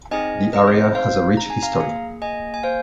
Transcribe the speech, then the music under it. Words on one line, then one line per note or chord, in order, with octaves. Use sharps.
The area has a rich history.
C4 D#4 G#4 D#5 G#5
A#4 D#5
C5
C5
C5 F5
A#5
G#5
F5 A#5
A#3 G#4
D#5 G#5
G#5
C5 F5